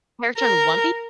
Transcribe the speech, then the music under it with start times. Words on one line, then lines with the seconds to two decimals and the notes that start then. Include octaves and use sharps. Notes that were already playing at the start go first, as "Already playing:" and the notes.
character in One Pi
0.39 A#4